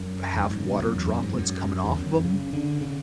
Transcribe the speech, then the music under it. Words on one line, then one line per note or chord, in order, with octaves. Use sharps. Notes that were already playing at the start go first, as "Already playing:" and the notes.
have water droplets coming off of 'em.
Already playing: F#2
E2
F#2
G#2
C#3
B2
F#2
E2
F#2
G#2
F#2
E2
F#2
C#3
D3
C#3